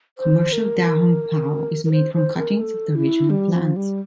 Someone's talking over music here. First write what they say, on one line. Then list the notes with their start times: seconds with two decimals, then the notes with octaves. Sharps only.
Commercial Da Hong Pao is made from cuttings of the original plants.
0.18 C5
0.53 A#4
1.85 A#4
1.92 C5
2.14 C5
2.37 A#4
2.61 A4
2.95 E4
3.30 G3
3.53 F3
3.76 G3